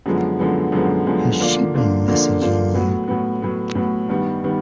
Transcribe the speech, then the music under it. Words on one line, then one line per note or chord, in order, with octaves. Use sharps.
Has she been messaging you?
F#2 D3 F3 G#3 B3
F#2 D3 F3 G#3 B3
F#2 D3 F3 G#3 B3
F#2 D3 F3 G#3 B3
D3 F3 A#3 D4 F4
D3 F3 A#3 D4 F4
D3 F3 A#3 D4 F4
D3 F3 A#3 D4 F4
A2 F#3 B3
A2 F#3 B3
A2 F#3 B3
A2 F#3 B3
G2 D#3 G3 B3
D#3 G3 B3